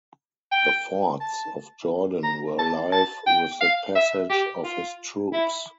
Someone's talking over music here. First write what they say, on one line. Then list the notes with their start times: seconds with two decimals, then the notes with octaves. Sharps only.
The fords of Jordan were alive with the passage of his troops.
0.52 G5
1.20 A5
2.23 A#5
2.59 A5
2.92 A5
3.27 G5
3.61 F5
3.95 E5
4.30 G4
4.64 F4
5.33 E4